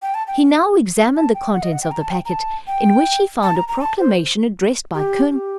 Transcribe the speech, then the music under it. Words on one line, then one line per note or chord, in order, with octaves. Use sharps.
He now examined the contents of the packet, in which he found a proclamation addressed by Col.
G5
A5
G5
A5
G5
F#5
D#5
F#5
G5
A#5
A5
G5
A#5
A5
G5
A5
A#5
A#5
A5
C5
G4
G4